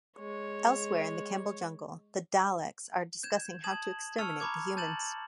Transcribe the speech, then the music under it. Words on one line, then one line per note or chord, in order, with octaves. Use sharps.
Elsewhere in the Kembel jungle, the Daleks are discussing how to exterminate the humans.
G#3 C#5
G6 G#6 E7
A5 D#6 G#6 E7 F#7
A5 C#6 E6 F6 C#7 F7
A#5 B5 C#6 D6 G#6
A5 G6 A6 E7 F#7